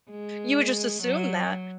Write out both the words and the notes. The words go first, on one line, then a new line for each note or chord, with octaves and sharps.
You would just assume that.
G#3
F#3